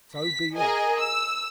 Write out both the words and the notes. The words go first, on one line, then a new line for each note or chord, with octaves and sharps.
"So be it."
B6
G#4 A#4 D#5 G#5
E6